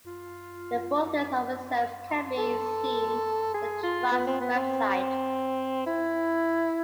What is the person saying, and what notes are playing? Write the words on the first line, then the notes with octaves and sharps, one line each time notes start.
The full list of reserves can be seen at the Trust's Website.
F4
A4
G#4
F4
B3
C4
B3
C4
E4